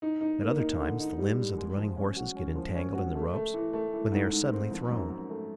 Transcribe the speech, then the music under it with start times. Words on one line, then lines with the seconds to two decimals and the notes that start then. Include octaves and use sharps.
At other times, the limbs of the running horses get entangled in the ropes, when they are suddenly thrown.
0.02 D#4
0.21 D#4
0.41 A#3
0.60 D#4
0.79 D3
0.99 D#4
1.18 G3
1.38 G3
1.57 G#3
1.77 F3
1.97 C#4
2.16 F#4
2.36 C#4
2.55 F3
2.75 C#4
2.95 F#4
3.15 A3
3.33 A3
3.53 E3
3.73 A3
3.93 E3
4.12 G#2
4.31 G#2
4.52 C4
4.71 F3
4.91 F#2
5.09 F#2
5.30 A3